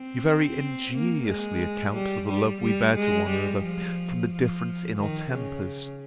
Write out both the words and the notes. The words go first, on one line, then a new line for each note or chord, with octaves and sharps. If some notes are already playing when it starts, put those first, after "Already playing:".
You very ingeniously account for the love we bear to one another, from the difference in our tempers.
Already playing: C4
A#3
G#3
G3
G3
G3
G#3
G3
F3
F3
D#3
C#3